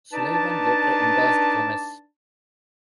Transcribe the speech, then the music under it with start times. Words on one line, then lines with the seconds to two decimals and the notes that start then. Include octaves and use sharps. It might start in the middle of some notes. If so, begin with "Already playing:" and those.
Sullivan later endorsed Gomez.
0.13 D4 D#4 B4 D5 A5